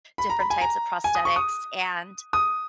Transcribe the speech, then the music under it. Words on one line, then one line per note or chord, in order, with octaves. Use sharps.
different types of prosthetics and,
B5
A#5
B5
G#5
A#5
G#5
D#6
C#6
D#6
D#6